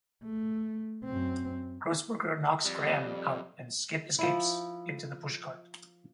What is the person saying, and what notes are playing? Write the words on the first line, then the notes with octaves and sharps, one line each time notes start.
Grossberger knocks Graham out and Skip escapes into the pushcart.
A3
F#2 C4
F2 G3
F3 E4